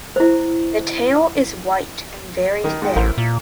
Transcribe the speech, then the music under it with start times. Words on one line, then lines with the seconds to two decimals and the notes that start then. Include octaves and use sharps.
The tail is white and very thin.
0.16 E4 C5
2.64 D#3
2.82 G#2 G5
2.96 A1 E4 A#4 C5
3.18 A#2